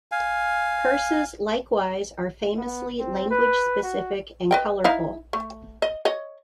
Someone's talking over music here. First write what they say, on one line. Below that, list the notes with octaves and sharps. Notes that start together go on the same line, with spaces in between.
Curses likewise are famously language-specific and colourful.
F5 G#5
B3
C4
B4
F#4
B4 D#5 G5
D#4 E4 F5
A3
D#5
C#5 D#5